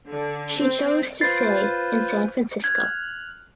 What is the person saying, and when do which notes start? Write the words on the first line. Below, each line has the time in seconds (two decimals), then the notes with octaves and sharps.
She chose to stay in San Francisco.
0.10 D3
0.60 C4
1.21 F4 B4 C5 A6 C7
2.64 F6 F#6 G#6